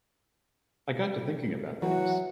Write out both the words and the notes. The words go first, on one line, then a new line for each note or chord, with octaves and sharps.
I got to thinking about things.
E3 F#3 F#5